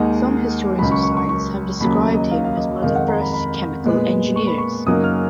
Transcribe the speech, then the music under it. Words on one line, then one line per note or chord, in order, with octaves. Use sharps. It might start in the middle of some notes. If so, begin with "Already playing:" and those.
Some historians of science have described him as one of the first chemical engineers.
Already playing: D#2 D#3 G#3 D#4 F#5
C#2 C#3 F#3 B5
C#6
C#6
C#6
C#6
D#2 C#3 F#3 B5
A#5
D#5
F5
F5
D#5
F2 D#3 G#3 F5
F#5
A#5
B5
B5
A#2 G#3 B3
C#6
B5
C#6
F#2 C#3 F#3 A#3 D#4 D#6
F6